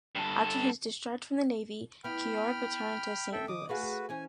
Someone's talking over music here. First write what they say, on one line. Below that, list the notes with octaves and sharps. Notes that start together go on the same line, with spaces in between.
After his discharge from the Navy, Keough returned to Saint Louis.
G2 A4
B3 E4 G5 B5 F6
A4 E5 G5
D#3 D6 D#6
A3 F#4 G#4 B4 F5
E3 C#4 C5 G#5